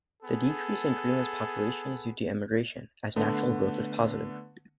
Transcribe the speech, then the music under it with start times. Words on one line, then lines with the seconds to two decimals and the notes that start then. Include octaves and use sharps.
The decrease in Greenland's population is due to emigration, as natural growth is positive.
0.23 B3 G#4 A4
3.16 D3 A3 B3